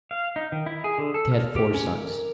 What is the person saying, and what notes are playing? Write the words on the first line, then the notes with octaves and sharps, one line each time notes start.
They had four sons.
F5
D#4
D#3
E4
G#4
D3
A4
F6
G4
C#4
A#4